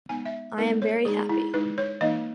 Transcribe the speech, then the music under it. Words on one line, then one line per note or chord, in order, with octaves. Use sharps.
I am very happy.
G#3 B3 D#4 G#5
E5
G#3 B3 D#4 A#4
C#5
G#3 D#4 G#4
E4
G#3 D#4 B4
C#5
E3 A#3 D#4 D#5